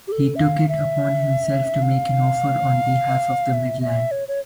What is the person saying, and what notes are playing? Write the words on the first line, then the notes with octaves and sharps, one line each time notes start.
He took it upon himself to make an offer on behalf of the Midland.
G4
A4
E5
F5
E5
F5
E5
E5
C#5
C#5